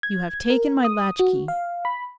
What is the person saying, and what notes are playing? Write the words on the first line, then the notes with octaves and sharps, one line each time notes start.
'You have taken my latchkey.'
G#6
A#4
D#6
F#4
F5
B5